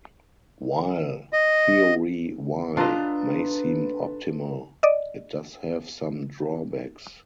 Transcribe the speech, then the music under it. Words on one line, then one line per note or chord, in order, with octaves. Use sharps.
While "Theory Y" may seem optimal, it does have some drawbacks.
D#5
D4 F4 A4 B4 D#5 A#5 C6
D5 D#5